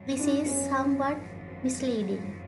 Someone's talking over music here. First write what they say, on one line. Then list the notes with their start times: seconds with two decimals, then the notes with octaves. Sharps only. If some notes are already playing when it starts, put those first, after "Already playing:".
This is somewhat misleading.
Already playing: G#1 F#2 F3
0.19 D4
0.46 C#4